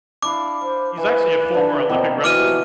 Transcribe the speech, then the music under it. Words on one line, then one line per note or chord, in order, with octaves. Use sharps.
he's actually a former Olympic wrestler.
D4 E4 F5 D6
C5 F5
E3 B4
D3 D4 F#4
B2 F3 A#3 C4
E3 F#4 C#6 D6 F6 D#7